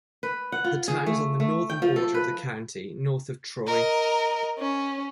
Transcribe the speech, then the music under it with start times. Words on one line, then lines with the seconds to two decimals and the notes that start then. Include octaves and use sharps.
The town is on the northern border of the county, north of Troy.
0.23 B4
0.52 F#5
0.64 F4
0.88 G#4
1.06 A3
1.40 A3
1.70 G5
1.82 F3
1.96 A4
2.14 B4
3.67 A#4 D#5
4.58 C#4